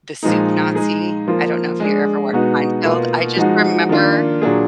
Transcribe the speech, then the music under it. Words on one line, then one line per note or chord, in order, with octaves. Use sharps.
the Soup Nazi I don't know if you ever watched Seinfeld. I just remember
A#2 F3 G#3 D#4
G#3 D#4 G#4
F3 A#3 F4
G#3 D4 G#4
B2 G#3 B3 D#4 F#4
B2 A#3 F4
F3 G#3 D#4 F#4
D#3 A#3 D4 F4
A#2 F#3 D4 G#4